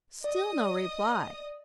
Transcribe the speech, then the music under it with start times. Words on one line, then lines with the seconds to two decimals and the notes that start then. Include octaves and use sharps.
Still no reply.
0.24 D5 D#5 D#6